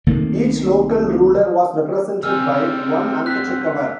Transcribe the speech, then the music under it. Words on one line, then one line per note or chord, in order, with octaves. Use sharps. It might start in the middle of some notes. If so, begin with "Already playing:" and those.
Each local ruler was represented by one Ankachekavar.
C2 D#3 A3 A#3
B2 E3 C4 G#5 E6 F6
G4 G#4 D5
G#3 E4 F#6 B6